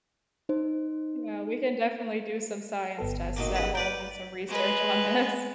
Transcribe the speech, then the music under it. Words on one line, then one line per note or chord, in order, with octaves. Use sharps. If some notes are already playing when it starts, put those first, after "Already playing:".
Yeah, we can definitely do some science tests at home and some research on this.
D#4 C5
G1 B3 A4
D#3 F#3 A#3
D#2 C#3 B4
B4 D5 G5
G#3 B4